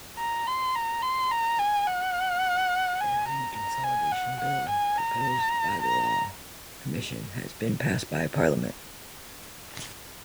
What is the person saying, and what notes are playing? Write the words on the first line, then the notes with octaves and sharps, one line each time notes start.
Every consolidation bill proposed by the Law Commission has been passed by Parliament.
A#5
C6
A#5
C6
A#5
G#5
F#5
G#5
A#5
A#5
G#5
F#5
F#5
G#5
A#5
A#5